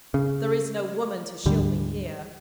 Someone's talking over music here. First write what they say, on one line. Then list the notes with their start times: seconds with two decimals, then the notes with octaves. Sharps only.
There is no woman to shield me here.
0.14 C#3
1.46 D2 G#2 D3 G3